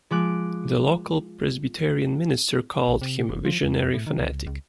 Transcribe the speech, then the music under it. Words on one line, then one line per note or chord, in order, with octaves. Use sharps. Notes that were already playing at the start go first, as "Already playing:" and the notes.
The local Presbyterian minister called him a visionary fanatic.
F3 G#3 D6 F#6
A#1
C3
F#1
F3
E2
F2
A2
D#3
C#2
C#2